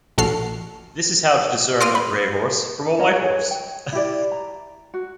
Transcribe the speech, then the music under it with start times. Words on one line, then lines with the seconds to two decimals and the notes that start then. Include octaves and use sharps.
This is how to discern a gray horse from a white horse.
0.18 A#1 F#4 A4 F6 C7
1.81 F5 C6 D6 D#6 F6
1.95 B5
2.99 C#4 D#5 A#5
3.13 G#4 C#5
3.51 G5
3.93 E4 G4 D5
4.32 A#5
4.94 F#4